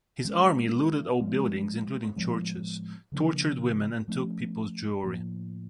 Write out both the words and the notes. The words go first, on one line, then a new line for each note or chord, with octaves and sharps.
This army looted all buildings -including churches-, tortured women, and took people's jewelry.
E3 G#3 C#4
F3 G#3 C4
A2 F3 G#3 B3
C#3 F3 A#3 D4
F3 A3 C#4
A2 F3 A#3